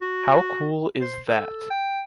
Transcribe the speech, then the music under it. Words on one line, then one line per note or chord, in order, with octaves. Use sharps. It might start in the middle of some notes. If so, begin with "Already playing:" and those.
How cool is that?
F#4
C5
A4
G5